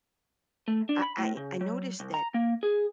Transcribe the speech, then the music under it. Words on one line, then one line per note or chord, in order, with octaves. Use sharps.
I I I noticed that
A3
D4
B5
A2
C#3
F#3
C2
A#5
A#3
G#4